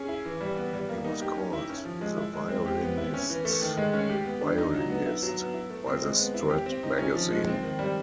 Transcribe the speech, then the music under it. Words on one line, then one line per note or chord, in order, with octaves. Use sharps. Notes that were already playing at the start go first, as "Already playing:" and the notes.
He was called "The Violinists' Violinist" by the Strad Magazine.
Already playing: C#4 G#4
E4
E3
G3
B3
G3
A#3
D#4
G4
C#4
E4
C#4
F3
G#3
E4
G#3
C4
G4
B3
E4
C#4
E3
A3
D#3
G#3
C#4
G4
B3
D4
D#4
F#3
B3
E4
F#3
B3
E4
A3
C4
G#3
B3
E4
G4
C4
D#4
C#4
F3
G#3
C4
D#3
G3